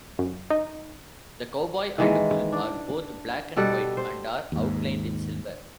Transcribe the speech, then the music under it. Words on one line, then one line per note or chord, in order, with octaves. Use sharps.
The cowboy and bull are both black and white and are outlined in silver.
F#2
D#4
D#3 E3 G#3
D4
B2 G3 A4 F#5
C5
D#2 G#2